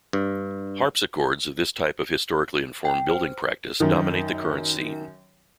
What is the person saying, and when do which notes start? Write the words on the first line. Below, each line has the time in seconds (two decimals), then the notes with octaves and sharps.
Harpsichords of this type of historically informed building practice dominate the current scene.
0.13 G2
2.85 G5
3.09 C5
3.80 F#2 D#3